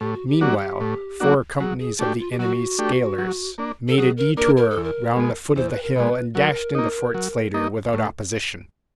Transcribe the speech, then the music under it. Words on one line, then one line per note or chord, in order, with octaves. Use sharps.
Meanwhile, four companies of the enemy's scalers made a detour round the foot of the hill, and dashed into Fort Slatter without opposition.
A2 G4
F#4
G4
F#3 A#3 D4 F#4
A2
F#3 A#3 D4 F#4
F#3 G#4
G#4
A3 D4 F#4 G4
F4
G4
F#3 F#4
A3 D4 G4
F#3
A#3 D4
A4
F#3 G#4
A#4
A#3 D4 A#4
A#4
A4
E2
A#4
B2 G#3
E2 C5
B4
A#4
B2 G#3 B4
F#3 A#4
A#3 D#4
F#3
A#3 D#4
A2